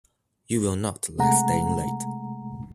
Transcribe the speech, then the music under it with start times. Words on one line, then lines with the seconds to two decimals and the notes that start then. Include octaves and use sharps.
You will not like staying late.
1.19 C3 G#3 A3 F#5 A#5